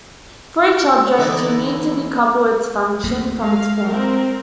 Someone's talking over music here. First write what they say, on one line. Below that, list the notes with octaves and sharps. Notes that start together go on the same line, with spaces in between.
For each object, you need to decouple its function from its form.
D3 E3 G#3 D#4 E4 D5
D2 A3 A#3
G#3 F5
C4 A#4